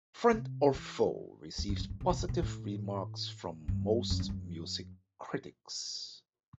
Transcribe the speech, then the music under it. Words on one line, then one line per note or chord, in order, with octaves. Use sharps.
"Friend or Foe" received positive remarks from most music critics.
C3
E3
E2
F#2
G2
G2
C3
B2
A2
B2
A2
G2
F#2
G2
F#2